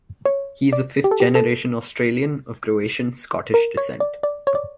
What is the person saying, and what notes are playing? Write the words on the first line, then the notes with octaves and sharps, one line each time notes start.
He is a fifth-generation Australian of Croatian-Scottish descent.
C#5
D5
G4
A4
G4
A4
A#4
C#5
D5
D5
C#5
D5